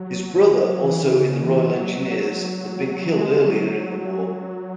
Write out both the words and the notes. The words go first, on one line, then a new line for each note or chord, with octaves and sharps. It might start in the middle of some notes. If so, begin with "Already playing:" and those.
His brother-also in the Royal Engineers-had been killed earlier in the war.
Already playing: F#3
E3
C#3
E3
F#3
F#3
G#3
F#3